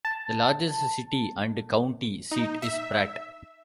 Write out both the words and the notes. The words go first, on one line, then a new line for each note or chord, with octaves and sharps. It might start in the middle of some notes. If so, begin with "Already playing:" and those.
The largest city and county seat is Pratt.
A5
D#4
E5